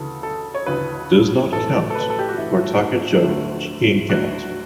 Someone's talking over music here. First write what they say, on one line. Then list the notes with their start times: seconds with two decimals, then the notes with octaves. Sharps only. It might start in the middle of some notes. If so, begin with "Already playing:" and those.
Does not count in Cortaca Jug game count.
Already playing: D2 C#3 E3 A4
0.23 A4
0.54 C#5
0.66 D2 C#3 E3 B4
1.52 A1 A2 E3 A3 A4
1.90 A4
1.95 B4
2.10 A4
2.19 G4
2.29 F#4
2.38 A1 A2 E3 A3 E4
3.24 D2 D3 F#3 A3
4.09 D2 D3 F#3 A3 F#4